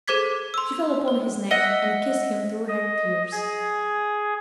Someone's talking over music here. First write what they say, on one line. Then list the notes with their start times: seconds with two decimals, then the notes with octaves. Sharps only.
She fell upon his neck, and kissed him through her tears.
0.08 G#4 A4 C5 D6 G#6 B6
0.54 C6 E6
1.08 C5
1.51 D#5 E5 F#5
2.69 D#5
3.32 G#4